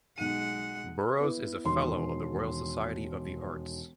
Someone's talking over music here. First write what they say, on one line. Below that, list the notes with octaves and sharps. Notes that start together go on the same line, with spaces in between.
Burrows is a Fellow of the Royal Society of the Arts.
B1 G#3 F#5 D#7
B3 E4
E1 D#3 C6